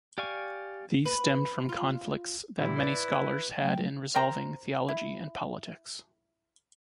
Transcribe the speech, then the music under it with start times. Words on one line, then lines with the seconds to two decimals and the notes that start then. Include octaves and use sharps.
These stemmed from conflicts that many scholars had in resolving theology and politics.
0.18 G4 D5 F5 G#5 C#6
1.06 B4
1.69 F4
2.58 A#2 E3 G3 E4
2.77 B4 D5 A6
3.59 F#3 A3 G5
4.14 A#4 C5 G5 A#5
4.88 E4